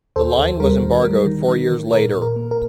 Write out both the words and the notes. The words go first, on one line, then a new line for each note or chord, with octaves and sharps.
The line was embargoed four years later.
D#2 A4 C5
D#2
G3 A#4
D#3
G3
D#3
D#3
D#3
A#2 A#4
A#2
A#4
A#3
A#4